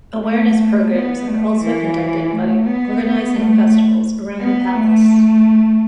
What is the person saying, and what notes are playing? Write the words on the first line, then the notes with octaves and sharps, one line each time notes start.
Awareness programs are also conducted by organizing festivals around the palace.
A3
B3
A3
E3
A3
B3
A3
B3
A3